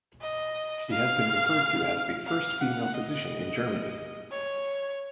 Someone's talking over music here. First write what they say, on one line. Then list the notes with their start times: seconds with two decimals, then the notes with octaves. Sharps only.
She has been referred to as the first female physician in Germany.
0.21 D#5
0.90 F5
2.27 F5
2.61 F#5
2.94 D#5
4.31 C#5